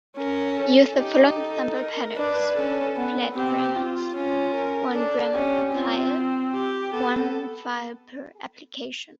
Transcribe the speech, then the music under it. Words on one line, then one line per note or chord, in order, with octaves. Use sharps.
Use the following simple patterns: flat grammars, one grammar per file, one file per application.
C#4 A#4
A4
D#4 G4
A4
A#4
D4 B4
C#4 A4
B3
C4 G4
F4
C#4 F4
A#4
D4 A4
C#4 G4
C4 F4
G4
B3 A4